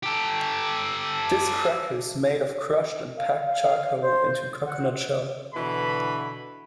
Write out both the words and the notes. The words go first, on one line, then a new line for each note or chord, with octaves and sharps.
This cracker is made of Crushed and packed charcoal into Coconut shell.
G4 A4
F5
F5
F5
C5
F#5
B2 D3 E3 B5